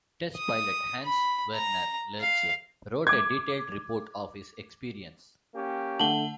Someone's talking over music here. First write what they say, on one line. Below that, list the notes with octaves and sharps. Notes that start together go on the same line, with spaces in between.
Test pilot Hans-Werner Lerche wrote a detailed report of his experience.
D#6
B5
A#5
F5
D6 G#6
A#3 C#4 G4
D3 A3 F#5 A5 F#7 G7